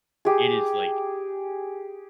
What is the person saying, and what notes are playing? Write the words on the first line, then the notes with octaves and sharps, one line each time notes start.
it is, like,
G4 G#4